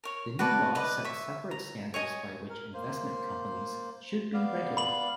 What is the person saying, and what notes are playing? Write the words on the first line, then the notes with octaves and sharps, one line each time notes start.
The new law set separate standards by which investment companies should be regulated.
A#4 C#5
F#4 B4 D5 A5
B4 D5 D#5
E5 C#6
A#5
C#5 D#5 G#5
A#4
A#3 C5
B3 D5 F5
B5 F#7